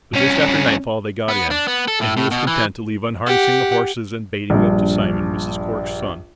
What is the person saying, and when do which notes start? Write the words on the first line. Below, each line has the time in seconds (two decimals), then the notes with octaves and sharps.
But just after nightfall they got in, and he was content to leave unharnessing the horses and baiting them to Simon, Mrs. Cork's son.
0.13 C2 C#4
1.29 B3
1.51 D4
1.68 B3
1.88 A4
2.01 A2
2.17 A2
2.31 B2
2.47 E3
3.26 G4 F#5
4.50 A#1 G2